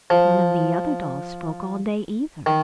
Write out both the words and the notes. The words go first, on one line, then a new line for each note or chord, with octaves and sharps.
None of the other dolls spoke all day, either.
F3
D#3